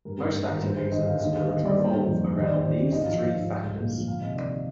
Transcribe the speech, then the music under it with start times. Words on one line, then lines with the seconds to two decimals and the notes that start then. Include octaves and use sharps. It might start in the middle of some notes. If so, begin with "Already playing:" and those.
Most activities in this village revolve around these three factors.
0.05 G2 A#4
0.19 G2
0.34 G2
0.48 G#1
0.55 A#4
0.63 G2 C5
0.76 D3 C5
0.91 G#1 D#5
1.06 D3 F5
1.20 D#2 D#5
1.33 D3 F5
1.48 D3 D#5
1.63 G3 D5
1.78 A#3 C5
1.92 D#3
2.07 F2
2.21 D4
2.35 D#2 D#5
2.43 D5
2.49 D#2 C5
2.60 D#2 D5
2.79 D3
2.92 G#1 D#5
3.01 F5
3.07 F3 D#5
3.21 F3 F5
3.35 G#2
3.50 G#3
3.64 C2
3.78 A#2
3.92 F3
4.07 D2 F5
4.21 C3 D#5
4.36 D#3 D5
4.50 D#5